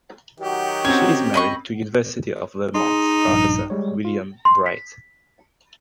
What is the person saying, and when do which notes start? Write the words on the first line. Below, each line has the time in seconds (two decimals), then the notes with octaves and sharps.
She is married to University of Vermont professor William Bright.
0.40 D#3 F#3 F#4 G4
0.85 C4 C#4 C#5
1.34 D#5 B5 C#6
2.74 D#4 G#4 D#5 C6
3.28 A#1 G2
3.70 G3 G#3 C#5
4.05 F4
4.45 C6
4.66 B6